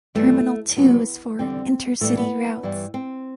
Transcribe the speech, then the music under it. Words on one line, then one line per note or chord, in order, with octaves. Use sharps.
Terminal two is for intercity routes.
G2 E3 G3 A3
E2 C3 F#3 B3
E2 D3 G3 C4
A2 E3 G3 A3
B3
G2 E3 G3
C4